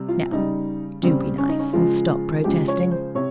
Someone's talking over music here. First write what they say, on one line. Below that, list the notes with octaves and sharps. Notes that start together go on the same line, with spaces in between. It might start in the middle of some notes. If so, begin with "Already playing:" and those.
Now do be nice and stop protesting!
Already playing: C3 G3
F4
C#3 G3 D#4
C#3 G3 C4
C#4
D#4
C#4
C#3 F3 G#3 F4
C#3 F3 G#3 G4
C#5
C5
C3 C#5